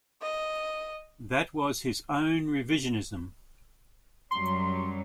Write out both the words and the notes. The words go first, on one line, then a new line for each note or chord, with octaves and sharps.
That was his own revisionism.
D#5
F#2 F#3 G3 C6